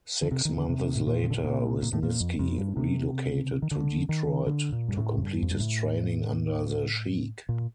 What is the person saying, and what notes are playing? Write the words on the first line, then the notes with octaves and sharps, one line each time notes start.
Six months later, Wisniski relocated to Detroit to complete his training under the Sheik.
D3
C3
D#3
D3
C3
A2
A#2
D#3
D3
C3
A#2
A#2
A2
A#2
F2
F2
G2
C3
D#3
D3
D#3
D3
A#2
G2
A2
F2
G2
F2
G2
A2
A#2